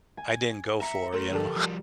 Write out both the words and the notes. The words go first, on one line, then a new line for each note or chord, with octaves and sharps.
I didn't go for, you know?
G#5
E5 A#5 C#7
A3 A#4 C6
D3 F3 G4 A4
F3 G3